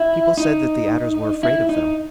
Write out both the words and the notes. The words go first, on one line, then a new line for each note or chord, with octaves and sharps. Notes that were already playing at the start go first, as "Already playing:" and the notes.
People said that the Adders were afraid of them.
Already playing: E4
D#4
E4
D#4